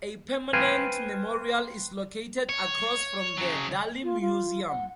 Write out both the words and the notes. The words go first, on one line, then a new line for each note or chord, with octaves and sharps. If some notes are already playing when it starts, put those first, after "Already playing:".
A permanent memorial is located across from the Dali Museum.
B4 C5 F5 G5 G#5
C#5
C#3 F#3
F4
F4
F#5